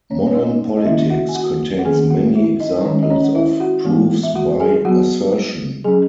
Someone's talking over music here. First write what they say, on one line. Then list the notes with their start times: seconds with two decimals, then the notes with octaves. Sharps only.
Modern politics contains many examples of proofs by assertion.
0.11 C#4 C#5
0.26 C#5
0.35 D#4 D#5
0.77 D#5
0.85 D#3 A#3 C#4 E4 E5
0.99 E5
1.10 F#4 F#5
1.29 G#5
1.35 F#4 F#5
1.79 F#5
1.85 D#3 A#3 C#4 G#4 G#5
2.10 F#4 F#5
2.35 E4 E5
2.60 D#4 D#5
2.85 D#3 G#3 C#4 C#5
3.03 D#5
3.10 C#4 C#5
3.24 F#5
3.35 E4 E5
3.60 F#4 F#5
3.85 E3 G#3 B3
4.23 E5
4.35 F#4 F#5
4.60 G#4 G#5
4.85 F#3 B3 F#4 F#5
5.84 F#3 C#4 G#4 G#5